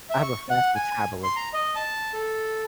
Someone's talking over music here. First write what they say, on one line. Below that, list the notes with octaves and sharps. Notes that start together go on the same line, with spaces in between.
I have a fast metabolism
E5
C#6
F#5
G#5
C6
A#5
D#5
A5
A4